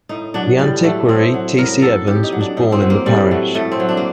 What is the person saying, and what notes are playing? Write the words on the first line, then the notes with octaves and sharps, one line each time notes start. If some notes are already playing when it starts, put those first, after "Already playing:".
The antiquary T. C. Evans was born in the parish.
A2 D#4
F#3 D4
A2 G3
F#3 A3
A2 C4
F#3
A2 A#4
F#3 A4
A2 G4
D#4
F#3
D4
A2 D#4
C4
F#3
A#3
A2 G3
F#3 A3
A2 A3
C4
F#3
D4
A#3